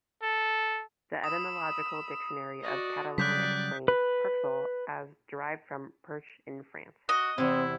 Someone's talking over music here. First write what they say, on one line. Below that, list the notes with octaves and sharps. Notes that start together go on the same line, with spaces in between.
The etymological dictionary of Catalan explains "perxal" as "derived from Perche in France".
A4
B5 D#6 E6
F#4 D5 D#5
C#3 F#3 G3 D5 F#6 G6 B6
B4
F#4 D#5
E2 C3 C4 E4